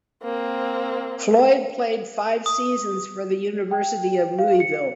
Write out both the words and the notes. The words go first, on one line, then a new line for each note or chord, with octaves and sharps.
Floyd played five seasons for the University of Louisville.
A#3 C4
D#6
G5
F5
C#7